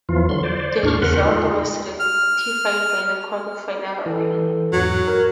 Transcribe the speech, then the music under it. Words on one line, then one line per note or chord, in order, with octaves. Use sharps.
The result was ratified by the Court of Final Appeal.
E2 E3 F3 F4
D3 F#3 C6
C5 D5
D#2 A2 D4 C#6 F6
E2 C#3 A#4 B4 F#5 C6
G#3 D#4 F4
F6
E3 A4
E2 G#2 F#3
A#4